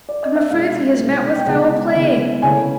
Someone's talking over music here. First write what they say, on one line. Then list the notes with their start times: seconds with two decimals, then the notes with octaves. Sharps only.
I'm afraid he has met with foul play.
0.09 D5
0.23 D#5
0.36 E5
0.50 C2 B2 G#3 F5
0.99 C2 B2 G#3
1.36 G5
1.46 C#3 E3 G#3 B3 F#5
1.95 C#3 E3 G#3 B3
2.42 C#3 E3 A3 C#4 G#5